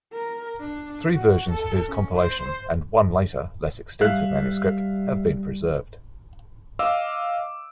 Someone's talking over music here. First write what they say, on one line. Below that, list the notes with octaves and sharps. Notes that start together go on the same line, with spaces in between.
Three versions of his compilation, and one later, less extensive manuscript, have been preserved.
A#4
D4
F#4
A4
C#4
C5
G3 E5 F5 F#6
D#5 F5 D6 E6